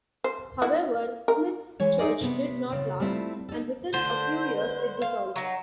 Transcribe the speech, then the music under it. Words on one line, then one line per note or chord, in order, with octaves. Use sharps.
However, Smith's church did not last, and within a few years it dissolved.
C5
E4 F#4
A#4
E3 G#3 C#5
D#4 G#4 C5 D5 D#5 G#5
C3 B3
C#3 F4
G3 A3 C4 E4 F4
D#4 A4
D3 A3 C5
B4
F5
F#3 D#4 A#5